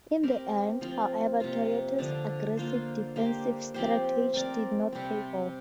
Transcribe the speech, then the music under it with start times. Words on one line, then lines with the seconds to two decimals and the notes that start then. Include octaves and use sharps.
In the end, however, Toyoda's aggressive defensive strategy did not pay off.
0.23 C4 G4 A#4
0.81 F3 C4 F4
1.40 C3 A#3 F4
1.99 D3 F3 D4
2.57 A#3 F4 C5
3.16 A#3 G4 C5
3.74 F3 C4 G4 C5
4.34 C4 A#4 D5
4.93 C3 G3 C4